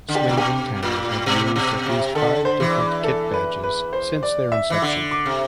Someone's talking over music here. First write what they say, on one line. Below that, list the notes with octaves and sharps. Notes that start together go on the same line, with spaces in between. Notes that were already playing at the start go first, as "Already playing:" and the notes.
Swindon Town have used at least five different kit badges since their inception.
D3
G4
A2
B2 G4
A2
B2
B2
C3
D3 A4
C5
E2 E3
A4
B4
B4
C5
D5
E5
E3
D3
D6
C3